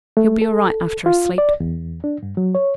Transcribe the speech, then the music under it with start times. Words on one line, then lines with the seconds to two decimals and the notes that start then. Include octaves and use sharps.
He'll be all right after a sleep.'
0.17 A3
0.42 A4
1.06 F4
1.38 D5
1.60 E2
2.04 D4
2.23 G2
2.37 F#3
2.55 C#5